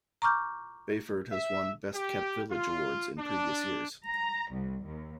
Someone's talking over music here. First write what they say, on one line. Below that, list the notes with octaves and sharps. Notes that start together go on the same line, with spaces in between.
Bayford has won 'best kept village' awards in previous years.
A#5 C#6 D6 F6 G6
E5
G4
F4
D4
A#5
C2
D#2